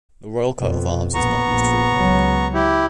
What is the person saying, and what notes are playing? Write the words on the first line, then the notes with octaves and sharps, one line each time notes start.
The royal coat of arms is not used frequently.
F2 B2
A#1 B3 A#5 C#6
A#1
C#2 F#3
E4 G4